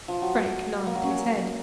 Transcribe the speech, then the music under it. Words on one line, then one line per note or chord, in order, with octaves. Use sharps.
Frank nodded his head.
F3
F#3
A#3
F#3
C#4